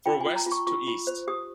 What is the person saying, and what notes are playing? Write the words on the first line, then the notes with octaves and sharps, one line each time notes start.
For west to east.
F4 G5
G#5
F4
A#5
F4
C#6
F4 C#6
F4
C5
G4 D#6